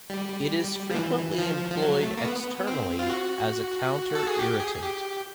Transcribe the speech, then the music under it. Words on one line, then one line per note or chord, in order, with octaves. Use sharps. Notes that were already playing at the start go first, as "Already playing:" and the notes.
It is frequently employed externally as a counterirritant.
G3
F3
E3
F3
F3
F#3
A3
A#3
B3
C4
F4
F#4
A4
G#4
G4
G#4
G4